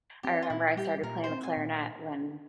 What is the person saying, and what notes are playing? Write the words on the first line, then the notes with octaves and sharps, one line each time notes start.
I remember I started playing the clarinet when
C4 G4
F4
A#2 E4
G3 G4
A#2 A#4
C5
C4
G#5
A#2